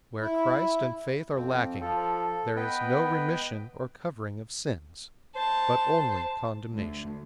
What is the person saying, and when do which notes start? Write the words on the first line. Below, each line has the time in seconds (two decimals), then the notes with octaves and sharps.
Where Christ and faith are lacking, there is no remission or covering of sins, but only condemnation.
0.21 E4
1.35 F2 C4
1.81 F3 A4
2.56 B3 B4 D#5 G5
5.36 C5 A5
6.73 D2